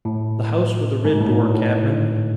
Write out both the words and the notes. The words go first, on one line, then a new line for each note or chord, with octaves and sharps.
'The house with the red door, cabmin.
A2
G#2
A2
A2
A2